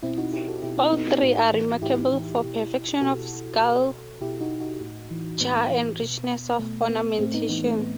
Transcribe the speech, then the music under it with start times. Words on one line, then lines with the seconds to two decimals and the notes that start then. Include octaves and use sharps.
All three are remarkable for perfection of sculpture and richness of ornamentation.
0.03 B2 C4 E4
0.18 D#4 F#4
0.33 E4 G4
0.48 F#4 A4
0.62 B2 E4 G4
0.77 C4 E4
0.93 B3 D#4
1.07 B3 D#4
1.22 A2 D#4 F#4
1.53 E3
1.82 A2 E4 G4
2.12 E3
2.42 B2
3.01 B2 F#4 A4
3.61 B2
4.21 B2 E4 G4
4.41 D#4 F#4
4.60 D#4 F#4
4.81 A2
5.11 E3
5.41 A2 B3
5.70 E3
6.00 B2
6.59 B2 A3
6.89 B3
7.19 A2 A3 C4
7.34 B3 D#4
7.49 E3 B3 D#4
7.64 A3 C4
7.79 A2 B3